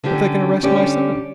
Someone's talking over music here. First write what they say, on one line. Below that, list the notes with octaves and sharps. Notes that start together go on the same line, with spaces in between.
"But they can arrest my son."
D3 G3 C#4 G4
D3 G3 C#4 G4